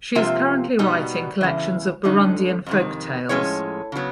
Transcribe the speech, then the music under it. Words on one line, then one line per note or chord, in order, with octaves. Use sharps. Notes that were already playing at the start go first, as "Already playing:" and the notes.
She is currently writing collections of Burundian folk tales.
C3 F3 A#3 F4 E5
B2 G3 B3 D#4
E2 C#3 E3
F2 D3 F3 D#4
F2 C3 D#3
A2 F3 G#3 C#4 C#5
C#3 F#3 B3